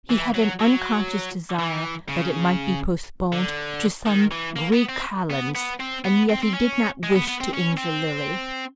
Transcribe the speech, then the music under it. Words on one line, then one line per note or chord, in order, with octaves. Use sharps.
He had an unconscious desire that it might be postponed to some Greek kalends, and yet he did not wish to injure Lily.
E3
F#3
F#3
E3
C#3
D3
D#3
E3
A#3
B3
C4
B3
B3
C4
B3
C4
C4
C#4
G#3
B3
B3
C4
C#4
C4